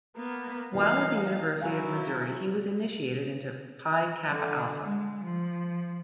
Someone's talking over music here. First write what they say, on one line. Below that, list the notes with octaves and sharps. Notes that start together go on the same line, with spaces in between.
While at the University of Missouri, he was initiated into Pi Kappa Alpha.
A#3 B3
E3 F#3 A#3 D#4 F5
F#3 E4 F5 G#5 F#6
D3
G#3
F3